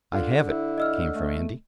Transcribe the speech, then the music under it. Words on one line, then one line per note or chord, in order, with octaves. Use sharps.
"I have it!" came from Andy.
D3 F4
E4
D#5 E6 F6
A3